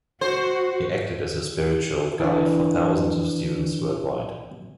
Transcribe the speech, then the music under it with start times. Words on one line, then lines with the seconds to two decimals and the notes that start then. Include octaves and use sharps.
He acted as a spiritual guide for thousands of students worldwide.
0.21 F#4 C5
2.20 E3 D4